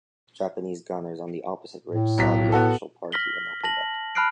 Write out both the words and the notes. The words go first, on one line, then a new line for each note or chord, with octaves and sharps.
Japanese gunners on the opposite ridge saw the official party and opened up.
A2
B1 F#3 B6
B3 F#4 A4
F6 A#6 B6 F#7 G7
A5 A#6 F#7
A5 B5 F6 F#6 C7 D7